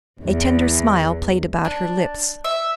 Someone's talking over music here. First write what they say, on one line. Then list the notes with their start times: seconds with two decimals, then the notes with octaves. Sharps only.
A tender smile played about her lips.
0.21 E2
1.65 D4
2.44 E5